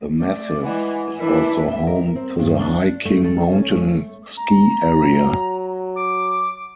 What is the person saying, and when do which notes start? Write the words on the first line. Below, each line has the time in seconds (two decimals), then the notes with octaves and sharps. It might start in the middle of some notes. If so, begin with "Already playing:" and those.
The massif is also home to the High King Mountain Ski Area.
0.20 A3 D5
0.65 E3 G#3 F#5 G#5
1.19 E3 D4 E4 A#4
1.68 E5
1.87 A#4
2.16 C4
2.39 G2
2.60 D4
3.05 A3
3.24 A4
3.52 C#4
3.70 A3
4.37 A#5
4.95 F#3
5.96 D6